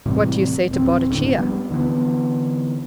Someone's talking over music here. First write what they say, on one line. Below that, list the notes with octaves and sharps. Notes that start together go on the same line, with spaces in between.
What do you say to Boadicea?
A2 C3 E3 G3
D1 C4
F#1 A2 D3
F3 G3 B3
D3 E3 G#3 B3